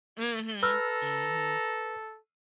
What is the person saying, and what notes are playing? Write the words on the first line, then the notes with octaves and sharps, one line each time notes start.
Mhm, mhm.
A4 B4 A#5 E6 F6